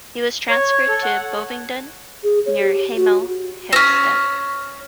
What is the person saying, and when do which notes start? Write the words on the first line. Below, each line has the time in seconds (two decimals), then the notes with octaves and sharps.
He was transferred to Bovingdon near Hemel Hempstead.
0.50 C#5
0.88 A4
1.03 F#5
2.23 G#4
2.46 C#5
2.61 G4
2.96 F#4
3.73 C4 C#4